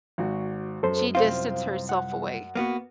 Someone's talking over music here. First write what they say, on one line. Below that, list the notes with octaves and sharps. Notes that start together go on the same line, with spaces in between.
she distanced herself away.
G#1 F#4
F#2 A4 C5
C2 C4 F4 C5 F5
F#5
A#3 B3 F#4